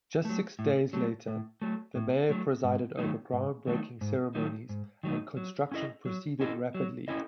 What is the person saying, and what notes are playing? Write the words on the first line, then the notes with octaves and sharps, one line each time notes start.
Just six days later, the Mayor presided over groundbreaking ceremonies and construction proceeded rapidly.
F#3 A3
A2
F#3 A3
A2
F#3 A3
A2
F#3 A3
G#2
D#3 F#3 A3 D#4
G#2
D#3 F#3 A3 D#4
G#2
D#3 F#3 A3 D#4
G#2
D#3 F#3 A3 D#4
F#3
C#4 E4 A4 D#5
F#3
C#4 E4 A4 D#5
F#3
C#4 E4 A4 D#5